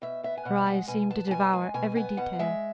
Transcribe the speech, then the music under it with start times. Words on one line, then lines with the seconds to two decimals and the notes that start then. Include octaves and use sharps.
Her eyes seemed to devour every detail.
0.02 B2 E5
0.23 B3 E5
0.37 G#5
0.45 B2 F#5
0.66 G#3 F#5
0.88 B2 G#5
1.10 B3 A5
1.28 A5
1.31 B2 G#5
1.53 G#3 G#5
1.74 B2 G#5
1.95 B3 G#5
2.17 B2 F#5
2.39 G#3 E5